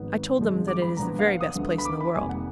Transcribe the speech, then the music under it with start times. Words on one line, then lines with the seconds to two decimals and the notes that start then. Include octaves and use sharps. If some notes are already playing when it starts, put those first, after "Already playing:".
I told them that it is the very best place in the world.
Already playing: G#1 G#2 F3 B3
0.38 G#1 F#2 F3 G#3
0.68 D6
0.82 B5
0.97 A#1 A#2 F3 B3 D4 A#5
1.19 F5
1.26 F#5
1.41 D#6
1.55 D2 D3 F3 B3
1.78 B5
1.85 D6
2.01 B5
2.14 F1 F2 D#3 A#3 G#5
2.29 F#5